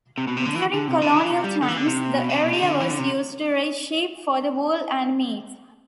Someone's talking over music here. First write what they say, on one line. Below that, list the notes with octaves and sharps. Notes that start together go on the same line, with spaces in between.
During colonial times the area was used to raise sheep for wool and meat.
C3
B2
C3
D3
E3
D3
C3
D3
E3
C3
G3
D3
E3
D3
C3
B2
C3
B2
C3
D3
E3
D3
C3